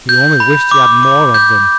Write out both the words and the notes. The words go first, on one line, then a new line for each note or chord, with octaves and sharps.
He only wished he had more of them.
G6
B5
D6
D6
G6